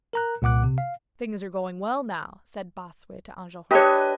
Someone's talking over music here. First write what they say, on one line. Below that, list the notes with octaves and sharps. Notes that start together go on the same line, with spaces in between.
"Things are going well now," said Bossuet to Enjolras.
A#4 A#5 F#6
C2 A#2 F#5 D6 F#6
C3
F5
D4 G4 B4 C#5 D#5